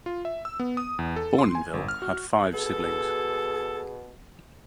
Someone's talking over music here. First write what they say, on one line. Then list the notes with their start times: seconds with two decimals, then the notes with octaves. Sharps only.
Bournonville had five siblings.
0.06 F4
0.25 E5
0.45 E6
0.60 B3
0.77 D#6
0.99 E2
1.16 A4
1.39 C6
1.55 G#5
1.74 G1
1.88 F6
2.02 F#4
2.53 B2 G#4 A4